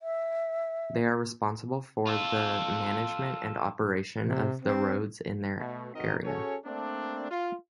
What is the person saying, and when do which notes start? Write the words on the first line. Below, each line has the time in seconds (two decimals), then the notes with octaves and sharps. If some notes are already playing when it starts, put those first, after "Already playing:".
They are responsible for the management and operation of the roads in their area.
0.01 E5
2.07 F4 A4
4.24 C3
4.61 C4
5.58 B2 A3
5.95 F#3 C4 D#4 F#4 A#4 D#5
6.24 C#4 F#4 G#4 A4 C#5
6.65 A3 A#3 C4 D4
7.31 F4